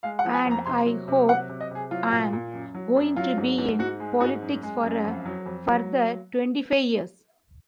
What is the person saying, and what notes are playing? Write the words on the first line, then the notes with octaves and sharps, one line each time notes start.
And I hope I'm going to be in politics for a further twenty-five years.
G#3 F5
F#5
F3
G#5
F2
A#5
C3 C6
F#3
C3
F#3 F#5
C3
D#5
C3 G#4
F#3 F4
A#2
A#2
F#2
F#3
F#2
F#3 F4
G#2
G#2
G#2 F#4
G#3
G#2 F#4
F#2
G#3
F#2
F2
F#3
F2
F#3